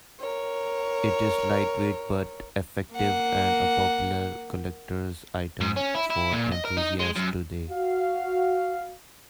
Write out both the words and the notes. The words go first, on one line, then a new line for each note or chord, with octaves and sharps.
It is light-weight but effective, and a popular collector's item for enthusiasts today.
A#4 C#5
A#3 F#5
G#2
C#4
E4
E4
A#2
D#5
A#4
D#4
G#3
F#2
F#4 F5